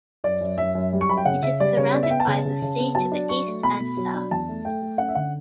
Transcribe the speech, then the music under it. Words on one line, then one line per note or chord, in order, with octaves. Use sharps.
It is surrounded by the sea to the east and south.
F#2 D5
F#2
F#2 E5
F#2
G3
C#6
F#2 B5
G5
C#3 F#5
C#3 E5
G3 D5
C#3 C#5
B3 D5
E5
B3 G5
A5
C#3
C#3
C#3
B3
F#3 A5
D4
F#3 C#6
A3
B2 B5
B2
F#3
D4
E2 A5
A3
A3 G5
A3
C#4 F#5
E5
D3 F#5